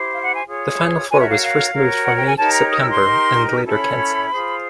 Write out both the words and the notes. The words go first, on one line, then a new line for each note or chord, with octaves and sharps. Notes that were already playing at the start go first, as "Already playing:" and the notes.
The final four was first moved from May to September and later cancelled.
Already playing: E4 G4 C5
F5
F#5
G#5
F4 G#4 C#5
F#4 A#4 C#5 G#5
E5
F5
F5
F#4 A#4 C#5
F#5
G5
G#5
D#4 G4 A#4 C#5 A5
A#5
D#6
E6
C6
D#4 G4 A#4
C#4 E4 A4 C#5 B5
F4 G#4 C5